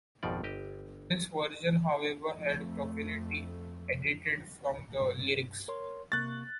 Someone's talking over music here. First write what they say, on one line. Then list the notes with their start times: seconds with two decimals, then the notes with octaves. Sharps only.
This version, however, had profanity edited from the lyrics.
0.23 G#1 F2 B2 F3 D5
0.43 G1 G4 D#5
2.33 F2 A3
5.01 G2
5.68 A#4 C#5 C6
6.12 C3 A#3 C#6 F#6 A6